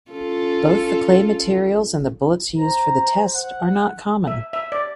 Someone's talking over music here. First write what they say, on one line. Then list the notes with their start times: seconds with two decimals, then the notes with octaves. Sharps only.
Both the clay materials and the bullets used for the test are not common.
0.11 C#4 F4 A4
2.58 C5 A#5
3.35 F#5
4.27 E5
4.53 E5
4.72 D5